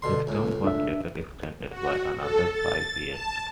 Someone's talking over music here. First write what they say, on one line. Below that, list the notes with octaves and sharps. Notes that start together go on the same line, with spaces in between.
His term was later extended by another five years.
B2 D3 C6
C#2 A2
D4 E5
F#4
A4
A6
A5